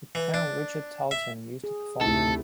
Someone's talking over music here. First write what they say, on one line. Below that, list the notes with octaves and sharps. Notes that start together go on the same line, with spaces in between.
The clown Richard Tarlton used to perform here.
E3
D4
E5
G#4
D2 C3 A3 D#4 E4 A4